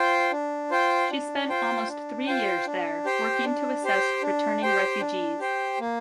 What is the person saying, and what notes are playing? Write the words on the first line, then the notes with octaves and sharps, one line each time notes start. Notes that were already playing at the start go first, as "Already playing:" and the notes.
She spent almost three years there, working to assist returning refugees.
Already playing: F4 C5 G5
D4
F4 C5 G5
D4
F4 C5 G5
D4
F4 C5 G5
D4
G4 C5 G5
D4
G4 C5 G5
D4
G4 C5 G5
D4
G4 C5 G5
A#3